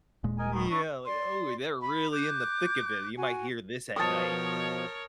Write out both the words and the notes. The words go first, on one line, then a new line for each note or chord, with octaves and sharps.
Yeah, like, oh, they're really in the thick of it, you might hear this at night.
D#1 A#2 G#3
A#4 D#5 G#5
B2 D#3
D4 E4 C#6
D5 C6
B5
D6 F#6 G6
F#4 G#5
B2 F3 A#4 C#5 A5 D#6